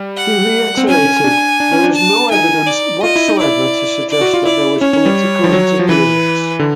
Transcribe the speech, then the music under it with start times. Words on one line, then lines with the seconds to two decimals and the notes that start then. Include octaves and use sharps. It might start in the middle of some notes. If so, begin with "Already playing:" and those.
He reiterated: There is no evidence whatsoever to suggest that there was political interference.
Already playing: G3
0.17 F#5
0.77 C4
0.89 C#4 G#5
1.24 D4
1.60 D4
1.72 C#4
1.84 D4
1.96 A5
2.31 D#4 G#5
2.67 D5
3.03 F4 D#5
3.16 E4
3.28 D#4
3.39 E4 D5
4.10 D5
4.21 F#4
4.34 F4
4.45 E4 D5
4.81 C#4 C#5
4.93 C#4
5.05 G3
5.44 F3
5.53 F#3
5.79 F3
5.89 E3 B4
6.59 D3